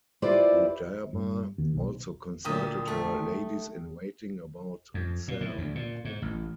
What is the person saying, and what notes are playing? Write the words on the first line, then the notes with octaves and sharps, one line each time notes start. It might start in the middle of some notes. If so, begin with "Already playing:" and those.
Rudaba also consulted her ladies-in-waiting about Zal.
E4 F4 G4 B4 C5 D5
G2
D#2
B1
D2 A#2 D3 G4 D#6
A3
F2
A#2
A2
D2
A#2
G#2
A1